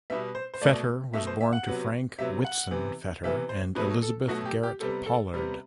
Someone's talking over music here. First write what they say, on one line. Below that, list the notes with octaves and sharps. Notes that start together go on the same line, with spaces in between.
Fetter was born to Frank Whitson Fetter and Elizabeth Garrett Pollard.
B2 G3 B3 E5
C5
C5
B2 A3 D5
B2 A3 E5
C5
E5
F#5
C3 F#3 B3
C3 F#3 B3 E5
F#5
C3 E3 B3
C3 E3 B3 E5
C5
B2 F#3 A3 B4
A4
B2 F#3 A3 F#4
G4
G4
C3 G3 B3 A4
A4
C3 G3 B3